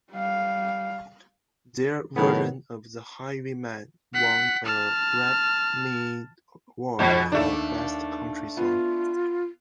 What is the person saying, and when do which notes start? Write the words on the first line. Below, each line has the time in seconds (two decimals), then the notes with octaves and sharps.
Their version of "The Highwayman" won a Grammy Award for Best Country Song.
0.12 G3 F5
2.16 A2 D#3 F#3 B3
4.14 F#5 B6
4.66 A5 F6
6.99 F2 G#2 B2 C#6 G6
7.32 D#2 D#3 A3 D4
8.57 B3 F4